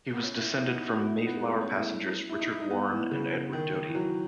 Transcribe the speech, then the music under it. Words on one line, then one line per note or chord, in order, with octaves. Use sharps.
He was descended from Mayflower passengers Richard Warren and Edward Doty.
B3
C#4
E4
E4
B3
D#4
E4
F#4
E4
D#4
B3
G#3
A3
C#4
E4
E4
D#4
E4
D#4
B3
E3
C#3
D#3
E3
F#3